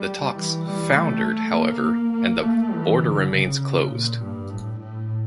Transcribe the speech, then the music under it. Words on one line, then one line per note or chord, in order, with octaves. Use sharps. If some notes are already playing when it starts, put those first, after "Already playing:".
The talks foundered however and the border remains closed.
Already playing: G3
E3
G3
A3
A#3
A#3
A3
E3
D3
C#3
A#2
G2
A2
A2